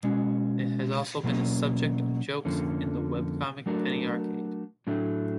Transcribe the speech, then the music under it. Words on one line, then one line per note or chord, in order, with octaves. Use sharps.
It has also been the subject of jokes in the webcomic Penny Arcade.
B2 G#3 C#4 F#4
B2 F#3 A#3 C#4
F2 D3 F3 A#3 C#4
F#3 A3 D4 F#4 A#4
A2 F#3 A3 D4